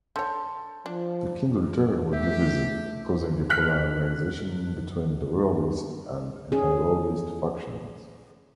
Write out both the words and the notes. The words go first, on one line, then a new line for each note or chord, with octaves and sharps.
The King's return was divisive, causing a polarisation between the royalist and anti-royalist factions.
D3 C#5 A5 C6 G6
F3 D4
A3 D4 G4 E5
F6 F#6 B6
C#4 G#4